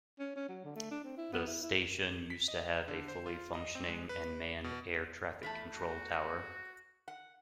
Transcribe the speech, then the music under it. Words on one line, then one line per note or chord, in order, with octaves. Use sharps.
The station used to have a fully functioning and manned Air Traffic Control Tower.
C#4
C#4
F#3
D3
A3
D4
C4
E4
B3
E4
E4
B6
D#5
D3
C5
F4
D#5
C4
G#3
B4
B2
E2 A3 A5 B5
F#4
F#5